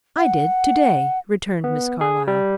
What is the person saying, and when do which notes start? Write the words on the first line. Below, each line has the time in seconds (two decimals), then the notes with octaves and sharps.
"I did to-day," returned Miss Carlyle.
0.18 F#5
1.64 B3
2.01 G#4
2.28 G3